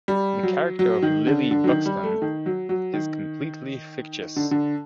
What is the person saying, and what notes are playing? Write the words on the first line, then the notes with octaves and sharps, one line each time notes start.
The character of Lily Buxton is completely fictitious.
G3
F#3
F#3
D#3
D3
D3
F#3
D#3
G3
A3
D#3
F#3
F#3
D#3
D3
D3